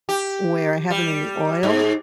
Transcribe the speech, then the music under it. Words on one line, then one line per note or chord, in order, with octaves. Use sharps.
where I have them in the oil,
G4
G3
G#2